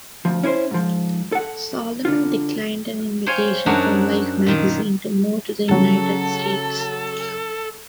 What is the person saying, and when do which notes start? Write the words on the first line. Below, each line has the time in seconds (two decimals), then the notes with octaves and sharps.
Salomon declined an invitation from "Life Magazine" to move to the United States.
0.25 D2 F3
0.43 C#4 E4 B4 C5
0.71 G#2 F3
1.32 A4 F#5
2.05 D3 F4
3.26 C5 C#5 F5 G5 G#5
3.66 F#2 D4 D#4 F#4
4.46 A#2 D#3
5.69 C#3 F#3 A4